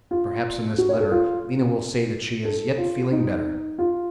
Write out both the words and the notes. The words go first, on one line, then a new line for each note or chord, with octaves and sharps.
Perhaps in this letter Lena will say that she is yet feeling better.
F4
F#4
C#5
A4
F4
A4
F4
D#4
F4